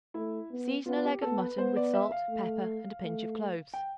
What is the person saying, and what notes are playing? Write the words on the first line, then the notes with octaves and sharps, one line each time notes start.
Season a leg of mutton with salt, pepper and a pinch of cloves.
A3 E4
B3
B3 F4
F4
G4
B3 A4
B4
B3 C5
D5
E5
F5
A3
A3
G5